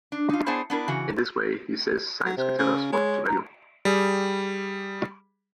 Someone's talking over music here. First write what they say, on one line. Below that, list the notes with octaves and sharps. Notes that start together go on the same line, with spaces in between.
In this way, he says, science can tell us what to value.
D4
D#4 F4
B3 D4 E4 G#4 C5 C#5
B3 D4 E4 A#4
C#3 E3 F#4
F#3
C3 C5
C#3
G#3 C#5
A#5
G3 G#4